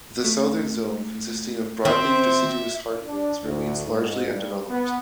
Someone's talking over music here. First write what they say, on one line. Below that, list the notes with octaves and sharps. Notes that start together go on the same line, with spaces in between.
The southern zone consisting of broadleaf deciduous hardwoods remains largely undeveloped.
A3
D#3 C4 E5
D4
D2
G#2
G2
B3